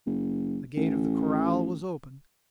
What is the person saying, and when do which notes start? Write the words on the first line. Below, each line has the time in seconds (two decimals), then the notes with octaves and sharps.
The gate of the corral was opened.
0.06 F#1
0.77 A1